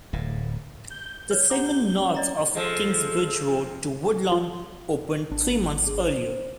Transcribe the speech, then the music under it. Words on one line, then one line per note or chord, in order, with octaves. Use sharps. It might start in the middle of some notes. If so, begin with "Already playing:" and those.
The segment north of Kingsbridge Road to Woodlawn opened three months earlier.
D1 A2
G6
B4 C#5
G4 F#5 A#5 D6
C#4 C#5
D5 D#5 A#5
F3 G#3 A4
F4
G#1 D4
G#4
C5